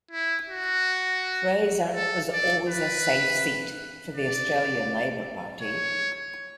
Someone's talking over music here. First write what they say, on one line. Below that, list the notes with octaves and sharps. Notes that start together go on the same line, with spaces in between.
Fraser was always a safe seat for the Australian Labor Party.
E4
F#4
A4
D5
B4
D5
C#5